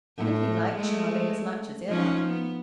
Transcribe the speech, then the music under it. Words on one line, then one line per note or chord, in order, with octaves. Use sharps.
And he liked Charlie as much as ever.
A2
G#3 A3
F3 C#4 D#4
B3